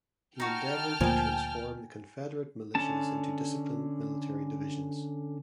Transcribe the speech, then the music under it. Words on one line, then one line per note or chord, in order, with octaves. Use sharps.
He endeavored to transform the Confederate Militias into disciplined military divisions.
D#4 F#4 G5 A5 F6
D2 A#2 F3 G#5
D3 C#4 A5